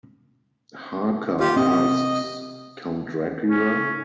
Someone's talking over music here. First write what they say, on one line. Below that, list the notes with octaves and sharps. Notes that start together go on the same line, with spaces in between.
Harker asks, Count Dracula?
F4 G4
C3 D#5
C#4